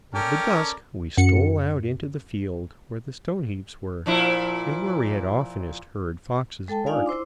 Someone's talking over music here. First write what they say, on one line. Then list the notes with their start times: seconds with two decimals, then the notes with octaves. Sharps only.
With the dusk we stole out into the field where the stone-heaps were, and where we had oftenest heard foxes bark.
0.15 C#4 A4 A#4 D5 G5
1.17 F#2 C#7
4.06 A#2 F3 E4
6.68 G#3 A4 G5 A5
6.86 D4 D#4 F4 D5 F5 G#5
7.06 E4 C5 C6 D6